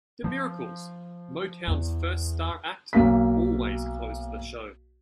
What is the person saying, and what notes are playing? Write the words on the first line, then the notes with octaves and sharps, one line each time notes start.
The Miracles, Motown's first star act, always closed the show.
F3
E2
B1 A#3 B6